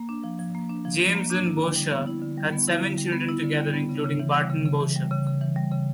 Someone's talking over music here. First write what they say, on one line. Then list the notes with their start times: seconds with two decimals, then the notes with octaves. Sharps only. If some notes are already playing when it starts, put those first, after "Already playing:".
James and Boucher had seven children together, including Barton Boucher.
Already playing: A#3
0.09 D4
0.24 F3
0.39 F3
0.55 A#3
0.70 D4
0.85 F3
1.00 F3
1.15 A#3
1.30 D4
1.46 E4
1.61 D3
1.76 G3
1.91 B3
2.07 E4
2.22 D3
2.38 G3
2.52 B3
2.68 E4
2.83 D3
2.98 G3
3.13 B3
3.28 E4
3.44 D3
3.58 G3
3.74 B3
3.89 C#3
4.04 C#3
4.19 E3
4.35 G3
4.50 C#3
4.65 C#3
4.81 E3
4.96 G3
5.11 C#3
5.27 C#3
5.41 E3
5.56 G3
5.72 C#3